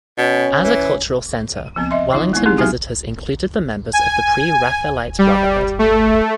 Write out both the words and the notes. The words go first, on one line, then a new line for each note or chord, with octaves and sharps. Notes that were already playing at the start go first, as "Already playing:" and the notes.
As a cultural centre, Wallington visitors included the members of the Pre-Raphaelite Brotherhood.
B2 C#4
E3
F3 B3 C4
D#5 E5 C6
D#3 D#4 F4
G#3 B3 E4
G#3 C4 D#4 G4 G#4
F#3 B3 D#4 F#4 G4
G#5
G3
A3